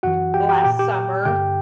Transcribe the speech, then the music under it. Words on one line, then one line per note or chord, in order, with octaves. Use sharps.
last summer
F#2 E3 F#4 F#5
G4 G5
G4 G5
A#2 G4 G5
G4 G5
G2 D3 G4 G5